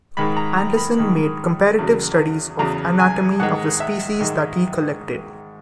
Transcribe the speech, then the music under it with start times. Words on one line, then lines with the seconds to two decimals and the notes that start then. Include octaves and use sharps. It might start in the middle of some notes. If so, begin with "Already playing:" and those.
Anderson made comparative studies of anatomy of the species that he collected.
0.17 G#2 D#3 G#3 B5
0.37 A#5
0.57 A#5
0.77 B5
0.98 G#2 D#3 G#3
1.78 E2 C#3 F#3
2.59 E2 C#3 F#3 A#5
3.00 G#5
3.40 G#2 D#3 G#3 F#5
3.80 E5
4.20 G#2 D#3 G#3 D#5